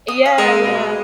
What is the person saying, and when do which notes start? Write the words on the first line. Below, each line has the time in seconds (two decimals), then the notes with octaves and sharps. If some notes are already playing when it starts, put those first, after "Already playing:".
Yeah, yeah,
0.08 D#6
0.26 F5
0.38 G#3 C4 A#4 D#5 F5
0.62 B2 G3 G#3